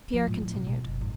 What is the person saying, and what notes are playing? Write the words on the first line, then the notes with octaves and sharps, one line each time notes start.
Pierre continued.
F3
A2
E4
C3
B2
F#1
G#2